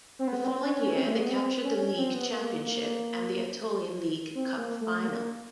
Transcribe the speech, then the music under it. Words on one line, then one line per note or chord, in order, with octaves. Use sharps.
The following year they captured the League Championship and the Aetolian League Cup Final.
C4
B3
B3
C4
C#4
C#4
C4
A3
A#3
B3
C4
C#4
C#4
C4
B3
A#3
A#3
C4
A#3
A3
A#3